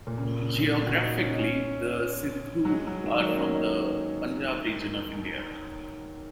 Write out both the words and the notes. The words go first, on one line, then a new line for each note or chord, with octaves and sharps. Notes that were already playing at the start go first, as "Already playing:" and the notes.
Geographically, the Sidhu are from the Punjab region of India.
A#2
C#3
A#2
C#3
C#3
F#4
D#4
C#4
D#4
C#4
F#3
G#3
F#3
D#3
F#3
A#3
C#4
D#4